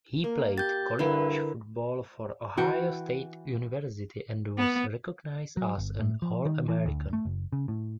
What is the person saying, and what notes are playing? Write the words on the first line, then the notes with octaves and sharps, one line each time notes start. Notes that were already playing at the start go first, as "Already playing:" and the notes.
He played college football for Ohio State University, and was recognized as an All-American.
A#3 A#4
G4 G6 A6
G2 D3 E4 A#4 B4
E3 F#4 G5
B3
F#3
G1
A2
F3
D#3
E3
D2
A3
F#1
C#3
A2